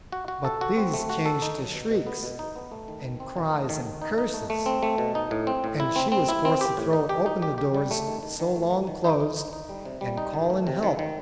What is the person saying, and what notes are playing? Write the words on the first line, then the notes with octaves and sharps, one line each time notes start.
But these changed to shrieks and cries and curses, and she was forced to throw open the doors so long closed and call in help.
F#4
F#4
A4
F#4
C4
A3
F#4
A4
D#4
F#3
B2
B2
B3
B2
D#4
B3
A3
D#3
D#3
C4
D#3
A3
D#3
D#3
D#4
D#4
A3
A3
C4
A3
B2
D#4
A2
C4
A2
E4
C4
C4
E4
C4
G4
A2
D#4
G4
D#4
G4
G4
G3
A3
D#3
D#3
D#3
A3
D#3
D#3
D#4
D#4
D#4
D#4
G3
C3
G3
D#4
D#3
A3
C3
D#3
D#3